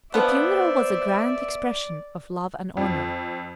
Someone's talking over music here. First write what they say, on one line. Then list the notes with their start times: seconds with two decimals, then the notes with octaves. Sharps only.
The funeral was a grand expression of love and honor.
0.14 F3 B3 C5 D5 E5
2.77 F2